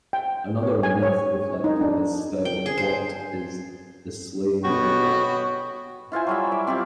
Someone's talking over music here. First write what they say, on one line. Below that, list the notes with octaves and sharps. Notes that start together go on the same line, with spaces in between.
Another myth reflecting this style of plot is The Slaying of the Dragon.
G5
C#5
G#5
C#5
D#4
D4
G5
G#4
C5
B2 B3 F#4 B4 C#5 G5
E4 F4 C5 G#5
F#3 G3 E5
E4 D6
C4 E4 F4 G4